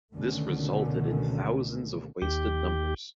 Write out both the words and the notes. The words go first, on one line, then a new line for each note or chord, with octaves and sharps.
This resulted in thousands of wasted numbers.
C#2 B2 D3 D#3 A3 C#4
D#2 G4